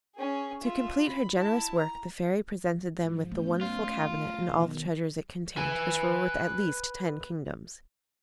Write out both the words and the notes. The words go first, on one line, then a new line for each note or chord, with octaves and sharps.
To complete her generous work the Fairy presented them with the wonderful cabinet and all the treasures it contained, which were worth at least ten kingdoms.
C#4 G#4
F4 E5
B5
E4 A5
A#5
G#2 F3
A3 B3 C#4 G6
F4
A5 A#5 A6
B2 D#3
B4 G#5